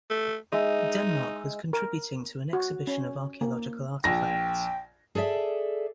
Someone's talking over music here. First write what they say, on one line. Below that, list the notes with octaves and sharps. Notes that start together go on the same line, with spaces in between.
Denmark was contributing to an exhibition of archeological artefacts.
A3
G#3 D#4 E5
A#4
F#4
C#4
A#3
A#1 G5 A#6
G#4 A4 D5 E5